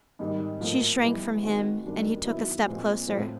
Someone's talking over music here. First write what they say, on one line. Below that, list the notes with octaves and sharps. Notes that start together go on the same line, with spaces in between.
She shrank from him, and he took a step closer.
G#2 D#3 G3
A2 F3 A#3
E3 G3 B3
D#3 G#3 C4 D#4 F#4
F#2 D#3 G3 A#3 D4
D#3 F#3 B3 E4
A#2 F3 G#3 C4 F4
A2 F3 A3 C4 F4